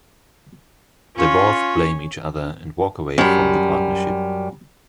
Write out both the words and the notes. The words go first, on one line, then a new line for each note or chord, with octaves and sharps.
They both blame each other and walk away from their partnership.
C#4 F4 C#5
F#2 G3